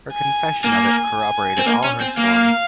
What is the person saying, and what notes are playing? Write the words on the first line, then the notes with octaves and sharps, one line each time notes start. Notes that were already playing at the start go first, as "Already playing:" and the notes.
Her confession of it corroborated all her story.
G#5
A#3 G#5
C4
A#3
C#4
C4
A#3 F5